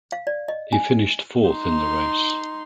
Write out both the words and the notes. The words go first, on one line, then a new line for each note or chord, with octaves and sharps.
He finished fourth in the race.
F5
D5
D#5
G#5
D#4 C6